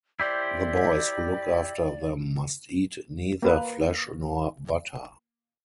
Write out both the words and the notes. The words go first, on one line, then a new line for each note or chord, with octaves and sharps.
The boys who look after them must eat neither flesh nor butter.
E4 G4 C5 D5
A#3 B4